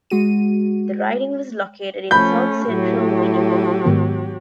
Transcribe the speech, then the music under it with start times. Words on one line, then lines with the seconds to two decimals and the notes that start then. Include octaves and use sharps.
The riding was located in south-central Winnipeg.
0.10 G#3 F#4 D#7
2.11 F3 A3 C#4 B5 G6
2.69 A2 F#3 G4
3.85 G#2 D#3 B3